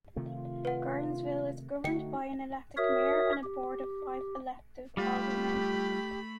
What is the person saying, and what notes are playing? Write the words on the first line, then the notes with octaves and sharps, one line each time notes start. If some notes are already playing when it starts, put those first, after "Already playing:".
Gordonsville is governed by an elected mayor and a board of five elected aldermen.
C3 D#3 A3 F4
B4 F#5
D3 A3 D#4 F#4 G5 C#7
F#4 A#4 C#5 E5 D#6
G4
G3 A3 F4 G4 B5